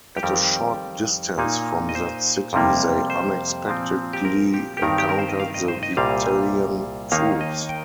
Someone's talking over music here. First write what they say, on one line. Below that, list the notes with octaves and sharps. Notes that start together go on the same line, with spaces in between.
At a short distance from that city they unexpectedly encountered the Vitellian troops.
G4
F2 D#3 G3 A#4
A#2 A#3 D#4
D#5
C5
F2 C3 G3 A#3
C5
A#2 F3 C4
G4
A#4
G4
G4
G2 D#3 C4 D#4 A#4
G4
A#4
C5
D#5
F5
D#5
C5
D#5
C2 A#2 G3 F5
D#2 D#3 A#3 D#4 F5
D#5
G5